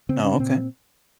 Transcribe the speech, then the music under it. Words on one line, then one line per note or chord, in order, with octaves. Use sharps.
Oh, okay.
C#3 C4
C#4
A#2 C4